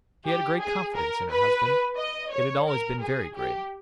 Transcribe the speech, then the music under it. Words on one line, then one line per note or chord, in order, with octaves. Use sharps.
She had a great confidence in her husband; it had always been very great.
G4
G#4
A#4
B4
D#5
C#5
A#4
G#4
G4